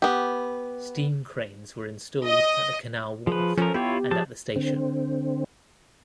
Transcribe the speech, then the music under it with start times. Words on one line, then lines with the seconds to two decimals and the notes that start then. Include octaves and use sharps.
Steam cranes were installed at the canal wharf and at the station.
0.02 B3 G4
2.25 D#5
3.27 F3 G#4 B4
3.58 F3 C#4 A4 A#4
3.74 B3 E4 F4 G4 C#5
4.11 F3 G4 G#4 A5
4.56 D3 C4